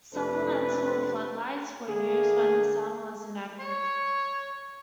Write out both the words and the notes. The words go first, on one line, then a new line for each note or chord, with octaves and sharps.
Supplemental floodlights were used when the sun was inadequate.
F2 C3 A3 D4 A4 B4
D3 A3 A#3 G#4
C#5 C#6